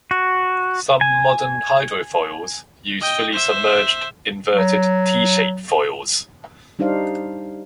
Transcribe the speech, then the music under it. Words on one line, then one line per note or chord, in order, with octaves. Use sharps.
Some modern hydrofoils use fully submerged inverted T-shape foils.
F#4
G#5
D#5 G5
C5 E5
F#3
G3 D4 D#4 C5 F5